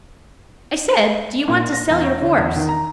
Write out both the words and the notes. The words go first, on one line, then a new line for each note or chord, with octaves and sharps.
"I said, do you want to sell your horse?"
A#2
A#6
E2
C#5
D3
E2
D#3
A#5